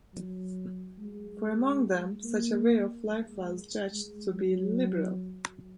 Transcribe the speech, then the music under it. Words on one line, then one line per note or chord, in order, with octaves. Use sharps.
For among them such a way of life was judged to be 'liberal.
F#3
G#3
A#3
G#3
G#3
F#3